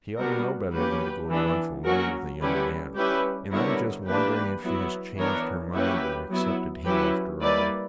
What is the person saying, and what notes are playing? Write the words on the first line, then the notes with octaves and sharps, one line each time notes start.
She ought to know better than to go to lunch alone with a young man, and I am just wondering if she has changed her mind and accepted him after all.
G3 B3 D4 F#4 A#4
F#3 A#3 C#4 G4 B4
E3 B3 D4
F#3 A#3 C#4 F#4 A#4
D3 G3 C#4 E4 G4 B4
G3 C#4 E4 G4 B4
D3 G3 B3 E4 A#4 C#5
E3 A#3 D4 G4 B4
F#3 B3 E4
E3 B3 D4 A#4 C#5
F#3 A#3 C#4 E4 G4 B4
F#3 B3 E4
F#3 C#4 E4 G4 B4
G3 A#3 E4 B4 D5